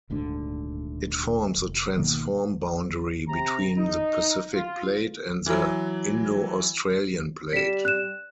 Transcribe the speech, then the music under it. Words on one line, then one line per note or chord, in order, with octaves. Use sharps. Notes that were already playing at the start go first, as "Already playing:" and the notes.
It forms a transform boundary between the Pacific Plate and the Indo-Australian Plate.
D#1 D2 G#2 D3
F1
G#1 B2 D#3 A#3
C3 A#5
D#4
F4
E3 F#3
G3 B6 E7
F#6 E7